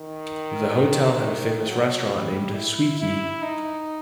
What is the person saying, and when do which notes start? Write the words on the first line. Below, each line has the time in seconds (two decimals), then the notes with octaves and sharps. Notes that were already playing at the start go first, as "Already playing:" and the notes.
The hotel had a famous restaurant, named "Swee Kee".
Already playing: D#3
1.68 F#3
2.11 G3
2.55 E4
2.99 E4
3.42 D#4